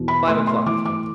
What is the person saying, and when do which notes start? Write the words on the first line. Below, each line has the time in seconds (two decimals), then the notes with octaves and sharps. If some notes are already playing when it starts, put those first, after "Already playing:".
Five o'clock came.
Already playing: E2 B2
0.08 B5
0.27 A3 C6
0.47 C6
0.66 E3 D6
0.86 D6